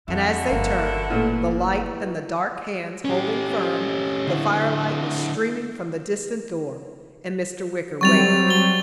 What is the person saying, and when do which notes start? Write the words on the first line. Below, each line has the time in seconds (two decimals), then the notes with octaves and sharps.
And as they turned, the light and the dark hands holding firm, the firelight was streaming from the distant door and Mr. Wicker waited.
0.08 F2 D3 E4 F#4
0.50 G1 A#3
1.10 A#2 E3 A3
3.05 C#4 G4
4.27 D3 E4
8.01 F#3 G3 C4 C#6 A6 F7
8.48 A6 G7